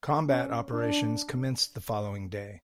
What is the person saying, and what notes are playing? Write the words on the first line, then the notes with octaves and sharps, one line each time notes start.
Combat operations commenced the following day.
C#4
D4